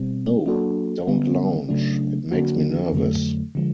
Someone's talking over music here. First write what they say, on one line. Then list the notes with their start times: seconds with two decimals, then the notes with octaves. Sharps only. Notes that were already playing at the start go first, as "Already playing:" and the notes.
No, don't lounge, it makes me nervous.
Already playing: B2 G3 C4
0.46 F#3 A#3 D4 F#4 A4
1.07 D3 G3 B3
1.69 C#3 F#3 A3 D4
2.31 D3 F#3 A#3 D4 F#4
2.93 F2 D3 F#3 A3
3.55 D3 F3 G#3